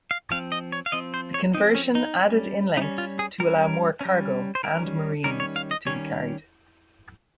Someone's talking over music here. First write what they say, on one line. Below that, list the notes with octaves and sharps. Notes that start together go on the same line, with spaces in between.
The conversion added in length to allow more cargo and marines to be carried.
F5
F3 C4 F5
D#5
C#5
F5
F3 C4 D#5
C5
C#5
F3 C4 D#4
C#4
D#4
G3 C#4
G3 C#4 D#4
F4
G#4
G3 C#4 A#4
G3 C#4
C5
D#3 G3 C#4 A#4
D#3 G3 C#4 A#4
C#5
F5
D#5
D#3 G3 C#4 C#5